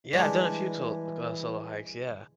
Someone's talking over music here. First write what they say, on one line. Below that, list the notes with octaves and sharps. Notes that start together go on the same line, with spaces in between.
Yeah, I've done a few tol uh, solo hikes, yeah.
E3 G3 G#3 D4